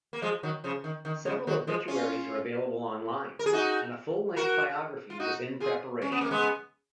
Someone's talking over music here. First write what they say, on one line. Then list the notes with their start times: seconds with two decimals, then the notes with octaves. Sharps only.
Several obituaries are available online, and a full-length biography is in preparation.
0.13 A#3
0.22 F3 G#3
0.43 D#3 F#3
0.64 C#3 F3
0.84 D#3
1.05 D#3
1.25 C#3 F3
1.47 D#3 F#3
1.67 F3 G#3
1.88 C#4 F4
3.39 A#4
3.46 G#4
3.53 D#4 F#4
4.36 F#4 A#4
5.10 F4
5.20 D#4 F#4
5.60 F4 G#4
6.02 C#4
6.12 B3
6.21 A#3
6.31 G#3 B3